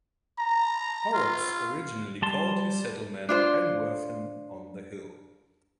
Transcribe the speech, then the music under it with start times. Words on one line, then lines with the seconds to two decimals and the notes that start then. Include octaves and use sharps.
Horrocks originally called his settlement "Penwortham-on-the-Hill".
0.39 A#5
1.14 F4
2.22 G3 A5 C6
3.29 D4 F4 C5